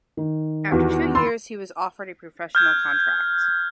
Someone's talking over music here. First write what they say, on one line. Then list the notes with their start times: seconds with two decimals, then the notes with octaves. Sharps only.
After two years, he was offered a professional contract.
0.17 D#3
0.72 E2 F#4 G4 B4
1.15 B5 C6 E6 A6
2.55 F6 G6 G#6